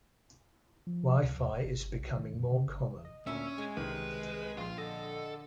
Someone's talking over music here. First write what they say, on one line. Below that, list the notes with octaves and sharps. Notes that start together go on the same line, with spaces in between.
WiFi is becoming more common.
F3
C#2
D#2
D1
G1
G1
B1
D#3
F#2
C#3
G1
D#5
D2 A#2 C#4 E5
G#3 G#5
C2 C3 D#3 B4
A#1 F4 F5 C6
D3 A4 D#5